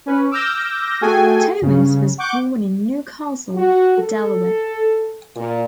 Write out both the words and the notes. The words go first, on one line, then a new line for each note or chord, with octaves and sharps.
Thomas was born in New Castle, Delaware.
C#4 B4
D6 E6 F6 G6 A#6
A3 F#4 G#4 A4 G5 G#5
G2 C#3
F#5 C#6 D6 G6
F#4
A4
A#2